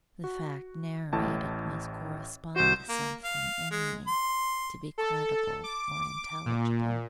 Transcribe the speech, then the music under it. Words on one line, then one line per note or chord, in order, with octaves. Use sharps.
The fact narrated must correspond to something in me to be credible or intelligible.
F#4
A1 A2 A5
C2 F#4 C5
A#3
F5
G#3
C6
A4
D6
D6
A#2